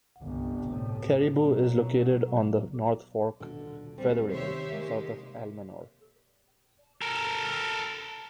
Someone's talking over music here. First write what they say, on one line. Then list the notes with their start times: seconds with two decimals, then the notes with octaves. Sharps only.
Caribou is located on the North Fork Feather River, south of Almanor.
0.22 G1 C2
0.68 A2 C3
1.41 B2 F#3
3.40 D#1 B2 D3
3.98 D2 G3 C4
4.31 C3 D#3 G4 C5 C#5 E5
4.72 G#3 A#3
7.02 A4 A#4